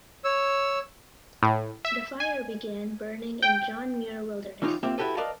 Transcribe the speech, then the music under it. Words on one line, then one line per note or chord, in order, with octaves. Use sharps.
The fire began burning in John Muir Wilderness.
C#5 E6
A2
E5
G#5
G5
E3 C#4 D#4 F4 G4
A#3 C4 F4 G4 E5
E4 F#4 G4 A4 B4
A#4 B4 D5 D#5 F5 A5